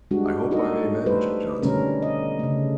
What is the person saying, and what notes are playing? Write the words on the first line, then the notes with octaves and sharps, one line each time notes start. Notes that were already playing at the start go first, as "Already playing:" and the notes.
"I hope I may manage it, Johnson."
G3 G#3 D4 F#4
D#4 F#4 A4 D#5
G3 A3 A4 B4 C5
B2 D3 G3 A3 C#4 A#4
D#5
C#3 A3